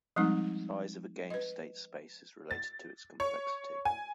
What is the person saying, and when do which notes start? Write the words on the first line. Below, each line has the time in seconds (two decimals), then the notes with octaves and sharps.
The size of a game's state space is related to its complexity.
0.16 F3 G3 G#3 C4 D#4
1.30 B4 D#5
2.51 A6
3.20 C#5
3.85 G#5